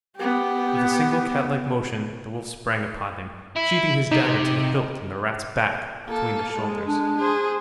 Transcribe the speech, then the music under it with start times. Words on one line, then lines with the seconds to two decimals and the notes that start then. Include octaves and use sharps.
With a single, catlike motion, the Wolf sprang upon him, sheathing his dagger to the hilt in the Rat's back, between the shoulders.
0.16 B3 G4
3.56 E4
4.11 C3 D#4
6.07 A#3 A4
6.58 G#3
6.88 D4
7.19 G#4 C5